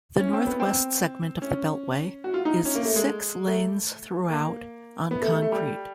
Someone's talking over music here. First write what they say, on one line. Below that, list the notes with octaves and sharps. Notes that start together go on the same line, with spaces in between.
The northwest segment of the beltway is six-lanes throughout, on concrete.
C#4
C4
B3
C4
C#4
F#4
F4
D#4
C#4
A#3
A3
G#3
A3
A#3
B3
A3
A3
A3
G3